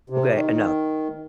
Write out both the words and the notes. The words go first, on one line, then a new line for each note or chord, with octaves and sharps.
okay, eh, none."
C3
D#3